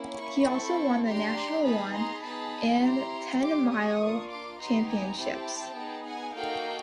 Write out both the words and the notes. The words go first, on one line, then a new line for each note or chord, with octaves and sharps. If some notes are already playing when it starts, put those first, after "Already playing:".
He also won the national one and ten mile championships.
Already playing: A#3 C#4 E4
B5 C#6
C4 E4 A4
D4 G4 A#5 C6
B3 D#4 G#4 A5 B5
A#5 C6
B3 D#4 G#4 A5 B5
C4 E4 G4 A#5 C6
D4 G4 C6 D6
C#6 D#6
A#3 D4 F4
C6 D6
B3 D#4 G4 A#5 C6
G#5 A#5
C4 E4 G4 G5 A5
B3 D#4 G#4
F#5 G#5
A#3 D#4 F#4 A4 F5 G5